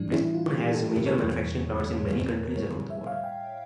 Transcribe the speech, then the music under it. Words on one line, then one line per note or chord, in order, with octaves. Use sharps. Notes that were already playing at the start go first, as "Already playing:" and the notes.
Bridgestone has major manufacturing plants in many countries around the world.
Already playing: A2 E3 G3 D4
E4
F4
G4
G4
A4
A#4
C#5
E2 E3 G3
A#4
A2 G3 C#5
E5
F5
G5